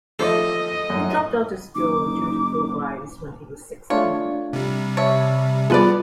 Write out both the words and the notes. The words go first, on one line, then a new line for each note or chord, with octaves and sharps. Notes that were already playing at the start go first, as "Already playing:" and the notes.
He dropped out of school, due to poor grades, when he was sixteen.
F3 A3 A4 D#5
F#2 A2
F#1 D#4 D6
A3 D4 F4 C#5
C3 G3
C#5 E5 A5
G3 B3 F4 G#4 A4 B4 D5